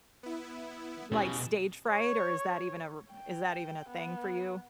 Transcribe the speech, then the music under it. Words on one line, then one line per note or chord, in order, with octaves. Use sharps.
like, stage fright, or is that even a r is that even a thing for you?
B3 E4
B2 C#4 E4 G4 G#4
C#5
G5
B3